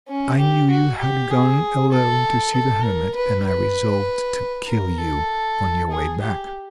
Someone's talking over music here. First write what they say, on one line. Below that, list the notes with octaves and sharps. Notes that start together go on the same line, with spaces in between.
I knew you had gone alone to see the hermit, and I resolved to kill you on your way back.
C#4
G4
F#4
G4
G#4
A4
A4
A#4
B4
B4
A#4
A4
G#4
G4